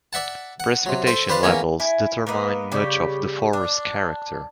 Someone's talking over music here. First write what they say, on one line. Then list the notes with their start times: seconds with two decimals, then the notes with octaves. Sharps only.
Precipitation levels determine much of the forest character.
0.13 D5 E5 F#5 A5
0.60 F#5
0.86 C3 F#3
1.07 A4 C5 E5
1.29 D4 G4 B4 C5 F5 A5
1.43 E2 A#3 C#4 A#4 C#5
1.80 E4 G#5
2.27 A#3 B3 B4 D#5
2.72 C#3 G3 G4
3.53 D4